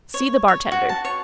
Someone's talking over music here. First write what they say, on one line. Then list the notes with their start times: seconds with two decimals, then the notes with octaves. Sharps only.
See the bartender.
0.14 C#5
0.48 C#5
0.72 F#4
0.89 A5
1.05 C#5